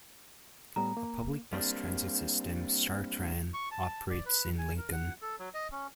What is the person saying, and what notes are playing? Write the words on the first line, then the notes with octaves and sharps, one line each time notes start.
A public bus transit system, StarTran, operates in Lincoln.
A2 G3 B3 A#5
A#3
G3 A#3 C4 D4
C#6
A5
D5
B4
G#5
A#4
F#5
A4
F#3
D#5
C#4